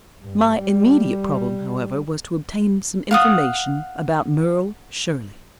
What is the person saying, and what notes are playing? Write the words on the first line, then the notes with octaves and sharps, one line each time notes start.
My immediate problem, however, was to obtain some information about Merle Shirley.
G2
G3
F5 F#5 D#6